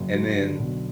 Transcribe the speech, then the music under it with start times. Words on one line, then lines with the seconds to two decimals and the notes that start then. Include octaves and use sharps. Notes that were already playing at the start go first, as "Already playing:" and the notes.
and then,
Already playing: F#1
0.14 F#3
0.37 D3
0.59 B1